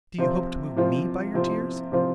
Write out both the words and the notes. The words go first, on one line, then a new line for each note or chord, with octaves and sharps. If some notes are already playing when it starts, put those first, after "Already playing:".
Do you hope to move me by your tears?
C3 F3 C4 F4
C3 F3 C4 F4
C3 F3 C4 F4
C3 F3 C4 F4